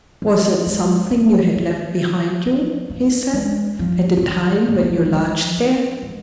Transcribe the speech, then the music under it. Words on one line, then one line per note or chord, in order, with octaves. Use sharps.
"Was it something you had left behind you," he said, "at the time when you lodged there."
F3
G#3
G#3
D#3
F3
A#3
G#3
F3
F3
D#3
F3
D#3
F3
G#3
F3
A#3
G#3